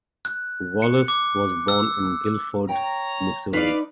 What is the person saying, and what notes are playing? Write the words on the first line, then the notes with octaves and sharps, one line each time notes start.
Wallace was born in Guilford, Missouri.
F#6
C#7
D6
E6
C#5 G5 A#5
D#4 B4 D5 F5